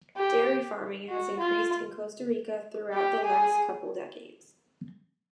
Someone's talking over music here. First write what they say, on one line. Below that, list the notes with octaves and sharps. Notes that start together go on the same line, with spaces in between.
Dairy farming has increased in Costa Rica throughout the last couple decades.
G4
F#4
F4
G4
G#4